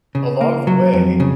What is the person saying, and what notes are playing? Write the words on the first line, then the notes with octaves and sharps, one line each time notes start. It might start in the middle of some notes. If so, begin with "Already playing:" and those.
along the way,
C#3
A#3
F#3
F2
C#3